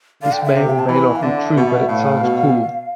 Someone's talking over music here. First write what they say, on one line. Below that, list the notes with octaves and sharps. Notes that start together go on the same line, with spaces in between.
This may or may not be true, but it sounds cool!
D3 F5
G5
E5
C3
G5
A5
E3 B5
F5
D3 E5
B2
A2 F5
B2